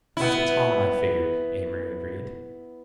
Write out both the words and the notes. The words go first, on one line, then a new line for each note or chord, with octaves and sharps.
"That's what Tom and I figured," Amory agreed.
B3 E4